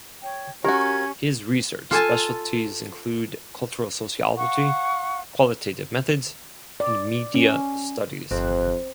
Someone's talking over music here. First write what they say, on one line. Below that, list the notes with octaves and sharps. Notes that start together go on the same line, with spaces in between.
His research specialties include cultural sociology, qualitative methods and media studies.
C#5 G5
C#4 F#4 G4 A#4 G#6
F4 A4 G#5 A5
F5 F#5 C#6
D5
C#4
G1 F2 C4 F#6